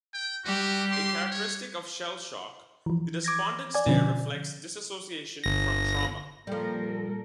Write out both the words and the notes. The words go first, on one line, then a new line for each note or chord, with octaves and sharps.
A characteristic of shell shock, the despondent stare reflects dissociation from trauma.
G5
G3 F#4 G4
C6
C#5
E3 F3
D6 G#6 A#6
D5 G#5
B2 D3 F3 C#4
G1 A#6
A#2 F3 G3 A4 A#4